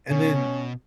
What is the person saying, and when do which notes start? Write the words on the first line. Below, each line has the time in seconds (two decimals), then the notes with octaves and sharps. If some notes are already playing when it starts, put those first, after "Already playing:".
And then
0.11 B2 C#4